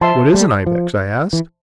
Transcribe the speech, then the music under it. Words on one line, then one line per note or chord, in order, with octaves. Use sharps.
"What is an ibex?" I asked.
F3 C5 E5 A5 C6
G3
F3
E3